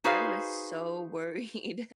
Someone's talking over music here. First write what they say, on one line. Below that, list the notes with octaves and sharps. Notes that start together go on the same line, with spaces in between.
I was so worried,
D#4 F#4 G#4 B4 C5 F5